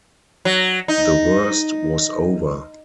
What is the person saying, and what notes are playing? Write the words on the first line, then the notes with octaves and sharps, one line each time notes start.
The worst was over.
F#3
D#4